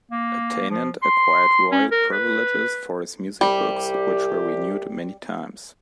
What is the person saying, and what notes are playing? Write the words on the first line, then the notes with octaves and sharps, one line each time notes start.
Attaingnant acquired royal privileges for his music books, which were renewed many times.
A#3
F3
C6
C#4
A#4
B4
C2 G3 G4